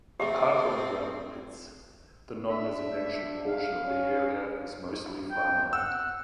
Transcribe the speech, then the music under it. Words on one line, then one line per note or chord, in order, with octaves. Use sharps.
Apart from the gravel pits, the non-residential portion of the area is mostly farmland.
A3 C4 G4 G#4 E5
D4 E5
F5
C#4
G5
F#5 E6